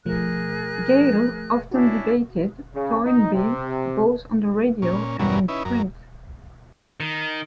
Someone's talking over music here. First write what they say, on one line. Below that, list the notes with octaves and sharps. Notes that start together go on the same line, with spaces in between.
Geyl often debated Toynbee both on the radio and in print.
B2 F3 A3 G#4 A#4 F#6
C#4 D4 E4 F#4
C#3
D#4
C3
A#2 C#4
E2 G2 B2 F#3 C#4 A#4
C#4 D#4 E4 B4
F#2 A#4
D#3